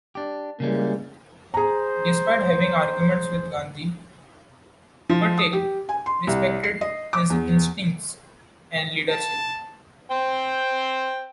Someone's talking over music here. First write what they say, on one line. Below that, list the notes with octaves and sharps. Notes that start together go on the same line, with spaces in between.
Despite having arguments with Gandhi, Patel respected his instincts and leadership.
D4 G4
C#3 E3 G3 G#3 A#3 C#4
G#4 C5 A#5
F3
D#6
G4
G#5
C6
C2
C7
D#5
D6
E2
A5
C5 G5